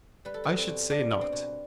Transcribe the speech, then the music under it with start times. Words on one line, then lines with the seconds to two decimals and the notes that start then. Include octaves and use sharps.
I should say not.
0.25 G3 B4
0.34 A4
0.44 G3 B4
0.58 C4
0.68 B2
0.90 B3 D4
1.11 B3
1.21 C4
1.32 B2